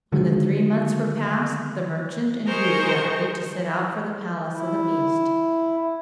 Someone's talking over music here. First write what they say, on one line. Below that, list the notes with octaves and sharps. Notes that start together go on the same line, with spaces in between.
When the three months were past, the merchant and Beauty got ready to set out for the palace of the beast.
D3 D#3 F#3 G#3
G#4 A#4 C5 D#5 C#6
E4